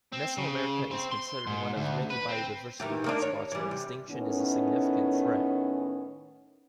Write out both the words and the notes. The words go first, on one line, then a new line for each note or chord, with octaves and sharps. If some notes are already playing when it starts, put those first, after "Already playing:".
Mesoamerica is considered one of many biodiversity hotspots where extinction is a significant threat.
C4
C#3
C4
C6
G#2
D2
B4
C4
D#3 E3 G4
D#3 A#3 D4
C#5
E3 G3
C3
A2 D#3 B3 C#4